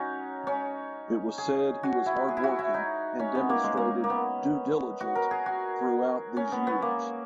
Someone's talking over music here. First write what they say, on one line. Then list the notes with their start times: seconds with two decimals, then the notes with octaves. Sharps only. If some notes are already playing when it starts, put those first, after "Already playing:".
It was said he was hard working and demonstrated due diligent throughout these years.
Already playing: C#4 D#4 F#4
0.47 C#4
1.38 G#4
1.83 F#4
2.06 E4
2.29 G#4
2.37 E4
2.44 F#4
2.59 E4
2.74 D#4
3.19 C#4
3.35 B3
3.49 A#3
3.64 G#3
3.77 A#3
4.04 A#3
4.10 B3
5.00 F#4
5.15 A#4
5.31 G#4
5.46 F#4
6.37 C#4
6.52 B3
6.67 B3
6.82 A#3